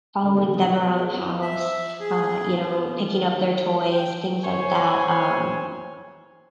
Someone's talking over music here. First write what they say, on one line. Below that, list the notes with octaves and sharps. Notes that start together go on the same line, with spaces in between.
following them around the house, uh, you know, picking up their toys, things like that. Um,
G#2 D3 A3 C#4
D3 D#3 G#3 A#3 B3 D#4
B2 G4 D#6
F#4 G#4 B4 D#5
B3 C4 E4
E5
G#4
B3
D#3
G5
C5 C#5 G#5